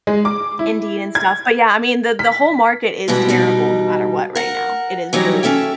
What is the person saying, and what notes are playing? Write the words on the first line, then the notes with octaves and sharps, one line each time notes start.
Indeed, and stuff, but yeah, I mean, the the whole market is terrible no matter what right now, it is really,
G#3
D6
E4
G#6
B6
G#2 B2 E3 G3 B3
B2 G3 D#4
A#4 F#5
E3 F#3 G3 D#4 C#5
C#4 A4 E5 G5